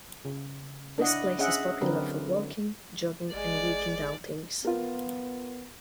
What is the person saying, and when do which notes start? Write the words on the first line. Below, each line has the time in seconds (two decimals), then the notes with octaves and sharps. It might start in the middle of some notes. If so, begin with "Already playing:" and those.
This place is popular for walking, jogging and weekend outings.
0.25 C#3
0.98 D4 E4 D#5 F#5
1.39 C#4 G#4 D#5 E5 F#5
1.81 D3 F#3 C4 D4 A#4 B4
3.34 G#1 G#3 D5
4.65 B3 F4 A#4